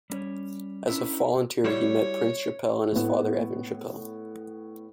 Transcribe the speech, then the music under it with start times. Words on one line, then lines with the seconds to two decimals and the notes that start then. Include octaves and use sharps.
As a volunteer he met Prince Chappell and his father Evan Chappell.
0.10 G3 C#4 C#5
0.87 C#4 D4 E4 A#4 C#5 E5
1.64 G3 E4 F#4 C#5
2.92 A2 B3